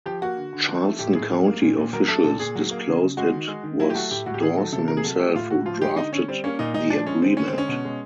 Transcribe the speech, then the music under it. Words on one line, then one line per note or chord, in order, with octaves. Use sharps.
Charleston County officials disclosed it was Dawson himself who drafted the agreement.
F3 G4
A#3 F#4
D3
D3
F3
A3
A2 G4
A2 G#4
F#3
A#3
A#2
A#2
F#3 A#4
A3 A4
A#2 A4
A#2 G#4
F#3
A#3
C#3
C#3
G#3 F#4
D#3
G#3
D#3
F#3 E4
G4
A3 F#4
A2 G4
A2 F#4
G4
D#3 G#4
F#3 A4
C3 A4
C3 A#4
G#4
F#3 A4
A3 G4
A2 F4
A2 F#4
F3 F4
G#3 G4
D3 D#4
D3 C#4
G3 C4
A#3 C#4
A#2 D#4
A#2 D#4
F3 D4
G#3 C#4
D3 C4
D3 C#4
C4
G#3 C#4
B2
G#3